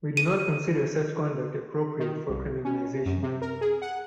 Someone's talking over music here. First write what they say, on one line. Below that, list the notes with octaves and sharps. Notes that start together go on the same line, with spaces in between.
We do not consider such conduct appropriate for criminalization.
D#7
D#3
C2
C#4
F#2
C3
A#4
G#4
F#5